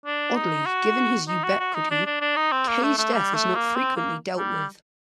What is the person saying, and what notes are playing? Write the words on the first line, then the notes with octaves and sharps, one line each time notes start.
Oddly, given his ubiquity, Kay's death is not frequently dealt with.
D4
D#4
F#4
D#4
F#4
F#4
D#4
D4
D4
D4
D#4
C4
A#3
A3
A3
G3
A3
A#3
C4
A#3
G3